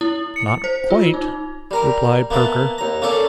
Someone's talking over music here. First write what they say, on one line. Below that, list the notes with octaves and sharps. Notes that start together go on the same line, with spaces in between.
'Not quite,' replied Perker.
E4
C#7
C5
F4
D#4
G3 A#4 A#5
A#3 B3 E5 A5
D#2 A#5
A#3 C#4 A4 D5